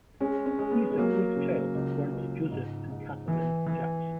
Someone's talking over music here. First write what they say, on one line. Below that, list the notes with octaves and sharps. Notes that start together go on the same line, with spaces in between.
He is the fourth child born to Joseph and Katherine Jackson.
G#3 C#4
C#4
G#3
B3
G#3
F#3 A#3
C#3
C#2
C#2
G#2
G#2
E3
E3